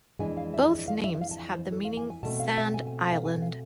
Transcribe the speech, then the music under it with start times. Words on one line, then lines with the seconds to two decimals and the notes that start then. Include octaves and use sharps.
Both names have the meaning "sand island".
0.19 F2 E3 G#3 D4 G#5
0.37 F5
0.54 E5
0.70 E5
0.88 F5
1.04 E5
1.15 E5
1.21 F5
1.31 A5
1.39 G#5
1.55 C5
1.72 A4
1.85 F5
1.97 G#5
2.10 G#5
2.23 B2 A3 C4 A5
2.40 F5
2.58 E5
2.74 G#5
2.87 G#5
3.13 F5
3.25 G#5
3.42 F5